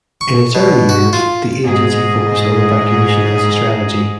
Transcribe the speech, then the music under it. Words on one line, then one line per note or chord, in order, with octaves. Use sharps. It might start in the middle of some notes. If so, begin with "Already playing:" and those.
In its early years, the agency focused on evacuation as a strategy.
C#6
B2
F#4
F4
G#2 G#4 D#5